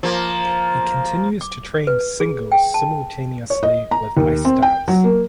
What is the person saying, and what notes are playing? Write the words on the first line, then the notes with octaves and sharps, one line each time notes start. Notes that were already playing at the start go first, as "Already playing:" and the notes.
He continues to train singles simultaneously with ice dance.
F3 A#3
D6
B4
G#4
G5
A5
C#5
D#5
A#5
D#2
C4
G5
F#3
A#3